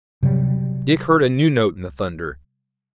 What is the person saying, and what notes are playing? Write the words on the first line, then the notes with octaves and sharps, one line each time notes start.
Dick heard a new note in the thunder.
C3 F#3 G3